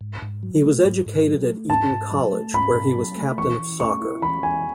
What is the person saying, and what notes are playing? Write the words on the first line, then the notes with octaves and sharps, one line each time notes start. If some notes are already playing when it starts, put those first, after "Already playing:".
He was educated at Eton College, where he was captain of soccer.
G#2
G#2
F#3
A3
G#2
G#2
F#3
A3
G#2 A5
G#2
F#3
A3
G#2 B5
G#2
F#3
A3
E3 C#6
E3
A3 C#6
E4
E3 B5
E3 G#5